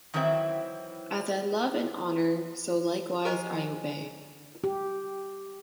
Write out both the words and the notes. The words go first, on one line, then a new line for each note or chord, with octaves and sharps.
As I love and honour, so likewise I obey.
D#3 E3 F#3 C4 E4 E5
F3 G4 A#4 C5 D#5 G#5 A#5
G4